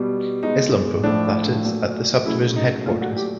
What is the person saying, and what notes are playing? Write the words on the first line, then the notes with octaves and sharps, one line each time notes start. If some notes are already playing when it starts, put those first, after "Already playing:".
Islampur, that is, at the Subdivision Headquarters.
Already playing: B2 G3
B2 G#3 D#4
A2 F3 A3 D4
A#2 F#3 A3
C#3 F#3 A3 E4
D#4
A#2 F#3 A3 F4
F#4
G4